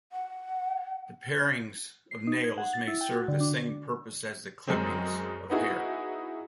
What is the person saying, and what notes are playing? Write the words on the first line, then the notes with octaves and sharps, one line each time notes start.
The parings of nails may serve the same purpose as the clippings of hair.
F#5
C7
D#4
G#6
F#5
A6
E4
G5
F#4
D3
D4
F#2 G#3 C4
B3 D#4 E4 F#4 G#4